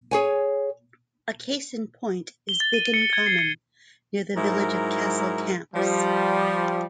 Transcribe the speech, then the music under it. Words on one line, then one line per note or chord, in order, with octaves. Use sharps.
A case in point is Biggin Common, near the village of Castle Camps.
G#4 C#5 G#5
G7
A6
D#7
C#7
G#6
C7
C#7
G#2 F#3 E4 A#4
F3 G3